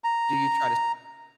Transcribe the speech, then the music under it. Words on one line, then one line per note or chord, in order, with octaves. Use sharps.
Do you try to
A#5